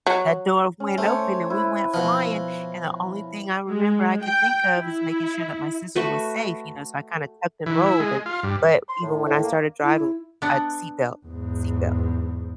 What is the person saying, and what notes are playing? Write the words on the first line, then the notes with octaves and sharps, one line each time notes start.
that door went open and we went flying. And the only thing I remember I could think of is making sure that my sister was safe, you know, so I kinda tucked and rolled and but even when I started driving, I had seat belt seat belt,
F#3
C#4
A3 C5 C#5
E4 B4
B2 F3
G#3
G5
E4
A3 F#4 B4
E3
E4
G#3
F4
G2
C6
A2
A2
A#3
E4
B3 D4 F#5
E2 G#2